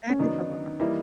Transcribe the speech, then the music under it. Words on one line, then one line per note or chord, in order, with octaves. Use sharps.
That is a lot.
C#4
D#3 F#3 B3 D4 D#4
E3 G3 A#3 D#4 E4